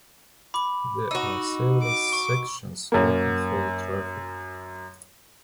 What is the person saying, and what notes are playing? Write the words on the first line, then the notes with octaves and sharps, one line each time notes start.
There are several sections open for the traffic.
B5 D6
D#4 F#4 E6
D6
C#6
F#2 A#3